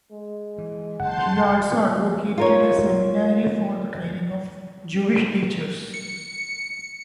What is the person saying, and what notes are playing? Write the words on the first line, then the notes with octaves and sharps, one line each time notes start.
He also advocated a seminary for the training of Jewish teachers.
G#3
E3
F#1 C#3 F#5 A5 C6 G6
F4 A#4 C#5
C#7